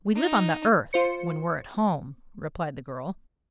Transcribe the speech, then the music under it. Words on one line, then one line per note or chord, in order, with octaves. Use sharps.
"We live on the Earth, when we're at home," replied the girl.
D#4
F4 C5 C#7